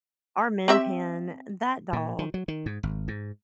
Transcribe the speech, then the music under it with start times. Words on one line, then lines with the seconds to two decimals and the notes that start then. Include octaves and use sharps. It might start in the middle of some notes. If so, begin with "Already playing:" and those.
our Min Pin, that dog,
0.68 C4 G4 E5
1.93 A#2
2.19 D#3
2.34 F#3
2.48 D#3
2.66 G#2
2.83 G#1
3.08 G#2